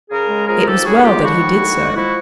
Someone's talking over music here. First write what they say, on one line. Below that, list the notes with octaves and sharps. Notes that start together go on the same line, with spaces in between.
It was well that he did so.
C#3 G#4 A#4
G#3
F3 G#4 A#4
D#2 G4 A4
C#3 F#4 G#4
G#3 F4 G4
F3 E4 F#4
D#2
D3
G#3
F3 E4 F#4